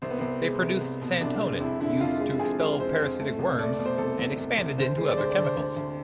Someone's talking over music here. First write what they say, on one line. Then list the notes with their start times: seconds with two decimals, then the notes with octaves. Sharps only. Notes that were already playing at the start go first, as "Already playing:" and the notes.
They produced santonin, used to expel parasitic worms, and expanded into other chemicals.
0.02 C2 C4
0.10 B3
0.19 C2 C4
0.42 G#3
0.62 C2
0.81 C2
1.02 B2
1.21 C2 D4
1.41 G#3
1.60 F2 E4
1.80 D3 E4
2.01 F2 F4
2.20 G#3
2.39 F2 G#4
2.59 G#3
2.80 F2 C5
2.99 F2
3.20 A3
3.39 C2
3.59 A3 D5
3.72 D5
3.79 B2
3.86 C5
3.98 C2 A4
4.19 C2
4.38 C2
4.58 C2
4.78 D2 C5
4.98 G#3
5.08 D5
5.18 D2 C5
5.31 D5
5.38 D2
5.44 C5
5.57 D2
5.76 D2